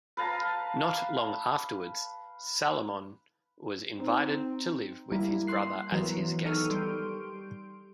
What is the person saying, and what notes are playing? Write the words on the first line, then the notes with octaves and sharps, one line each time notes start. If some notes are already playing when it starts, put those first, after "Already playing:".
Not long afterwards, Salomon was invited to live with his brother as his guest.
B4 F5 A5 A#5
C4 D#4
G3 A#3 E4 A#4
C6 F#6 C7
E3 F#3 B3 A#4
D#3 A4 C#6 E6 F6 D#7
G3 C6 G6 D7